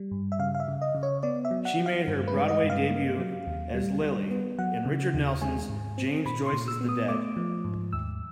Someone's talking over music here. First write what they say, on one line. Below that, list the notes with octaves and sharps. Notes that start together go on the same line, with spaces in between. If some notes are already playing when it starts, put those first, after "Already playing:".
She made her Broadway debut as Lily in Richard Nelson's "James Joyce's The Dead".
Already playing: G3
G2
E5
C#3 F5
F5
E5
C#3
D#5
C#3
C#5
B3 D5
E5
F#3
F#5
F#3
F5
G2
B4
G#3
D#5
G2
F5
A#3
F#3
D#2
G3
G3
B3
F#3 F#5
C#3
D#2
G#3 G#5
G#2
C4
A#2 B5
C6
A#2
E6
B3
D#6
A3 D6
F3
G#2
D#2 E6